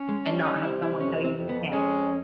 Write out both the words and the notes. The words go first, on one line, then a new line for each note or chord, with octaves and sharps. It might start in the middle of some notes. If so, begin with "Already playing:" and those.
and not have someone tell you you can't.
Already playing: C#4
G#3
G3 D4
D#4
D#4
C3 E4
E4
F2 C#4
C4
F2
B3
G#3 C#4